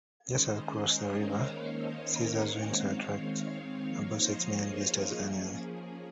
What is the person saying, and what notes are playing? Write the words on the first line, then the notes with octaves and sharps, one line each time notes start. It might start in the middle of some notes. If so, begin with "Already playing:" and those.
Just across the river, Caesars Windsor attracts about six million visitors annually.
D#3 G#3 C#4 C5 D#5
G#4 C5
A#4 C#5
C#5 F5
D#3 A#3 C#4 C#5 F5
C5 D#5
A#4
D#5 F#5
D#3 G#3 C4 C#5 F5
F3 A#3 D#4 C#5 F5
C5 D#5
G#4 C5
A#4
F3 A#3 C#4 G#4
G#4